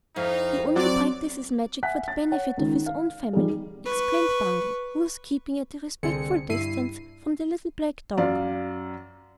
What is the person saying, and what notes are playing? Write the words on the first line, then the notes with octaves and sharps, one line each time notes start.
"He only practices magic for the benefit of his own family," explained Bungle, who was keeping at a respectful distance from the little black dog.
F2 D#4 E4 F5
F#3 C4 D5
E5 F#5 G#5 F#6 B6
A6
C#5 F#5
C#2 D#3
F5
G3 D#4 G#4
B4 C#6
C2 D3 C4 G#4 C#7
G2 E4 C7 D#7
F#2 D5 F5